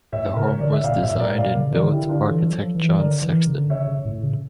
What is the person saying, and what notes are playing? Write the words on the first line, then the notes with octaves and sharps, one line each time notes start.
The home was designed and built architect John Sexton.
A2 C#5 E5
A#2
C#3 A#4
C#5
D3 D5
E5
A#2 D5 F5
A2 C#5 E5
A#2
A2 A#4 D5
A#2 D5 F5
C#3
E3 A#4 D5
D3
E4 G4
D3
D4 F4
E3 A4 C#5
F3
E3
D3 A#4 D5
E3
C#3
D3
C#3 C#5 E5
C#3
A2
C#3